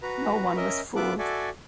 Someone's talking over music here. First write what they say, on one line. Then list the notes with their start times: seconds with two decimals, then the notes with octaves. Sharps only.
No one was fooled.
0.02 F#4 B4 A#5
0.56 C#4 A#4 D#5 E5
0.96 B3 F4 E5 D6 F#6
1.18 F#4 A4 D5 E5 G#5